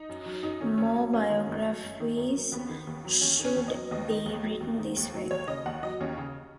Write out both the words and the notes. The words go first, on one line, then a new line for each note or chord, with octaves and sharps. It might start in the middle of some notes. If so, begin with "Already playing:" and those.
More biographies should be written this way.
Already playing: D#4
F#2
F#3
F#2 D#4
D#3 C#4
F#2 C#4
F#3
F#2 C#4
D#3
F#2
F#3
F#2
D#3
F#2
F#3
D#2 B3
D#3
D#2
F#3
D#2 C#4
D#3
C#4
D#2
D#5
F#3
D#2 D#5
D#3
D#2
F#3
D#2
D#3
D#2
F#3
D#2 C#5
C#3 D#5
D#2 F#5
F#3 D#5
D#2 C#4
C#3